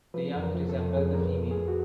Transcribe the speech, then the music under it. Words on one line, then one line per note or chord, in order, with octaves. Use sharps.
The young resemble the female.
F3 B4
F2
A#4
F3
A4
F2
F2 G#4
F2 A#4
B4
F3
G#4
F2
F#4